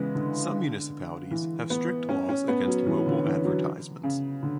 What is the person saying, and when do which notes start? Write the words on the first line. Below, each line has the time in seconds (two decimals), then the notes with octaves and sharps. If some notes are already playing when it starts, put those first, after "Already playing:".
Some municipalities have strict laws against mobile advertisements.
Already playing: C#3 E3 G#3 B3
0.15 D3
1.31 E3
1.70 B3
2.09 C#4
2.29 C#4
2.48 B3
2.67 F#3
2.86 E3
3.06 D3
3.25 E3
3.45 F#3
4.03 C#3
4.43 D3